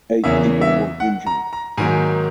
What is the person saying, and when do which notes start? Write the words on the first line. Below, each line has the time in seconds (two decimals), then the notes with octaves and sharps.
Eight people were injured.
0.24 E2 C#3 E3 A#3 E5
0.61 E5
1.00 F#5
1.27 A#5
1.53 A#5
1.78 G#2 D#3 F#3 A#3 G#5